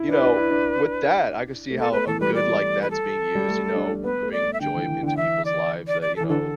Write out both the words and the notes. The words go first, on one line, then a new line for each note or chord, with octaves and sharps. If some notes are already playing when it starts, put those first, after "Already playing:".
you know, with that, I could see how a good, like, that's being used, you know, b bring joy into people's lives that, you know,
Already playing: E4
D4 B4
D4
E4
D4
A3
B3 A4
A3 B4
E3 A4
G3 B4
D5
B4
A4
G3
A3
D4
D4
B3 B4
A3
D5
A3
E5
D3 G5
E3
E3
D3
G5
E3 E5
D5
D5
D5
A4
E3
D3 A4